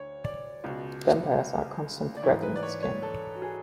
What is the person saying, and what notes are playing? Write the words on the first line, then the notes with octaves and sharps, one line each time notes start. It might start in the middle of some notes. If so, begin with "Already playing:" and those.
Vampires are a constant threat in this game.
Already playing: D2 D3 C#5
D5
C#2 B2
D5
G#2 E3 C#5
B4
D5
C#5
C#5
A4
F#4
G#4